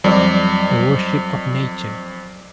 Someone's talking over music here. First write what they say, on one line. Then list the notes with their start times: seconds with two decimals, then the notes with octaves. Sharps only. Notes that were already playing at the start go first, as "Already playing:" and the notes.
The Worship of Nature.
0.04 F2 F#3 G3 D5 D#5 D6